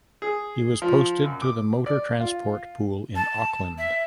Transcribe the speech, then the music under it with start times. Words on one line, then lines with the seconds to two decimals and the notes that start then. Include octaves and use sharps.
He was posted to the Motor Transport Pool in Auckland.
0.22 G#4
0.82 F3
1.24 F#2
1.42 D6
1.86 D5
2.20 F4
3.15 A5
3.78 E5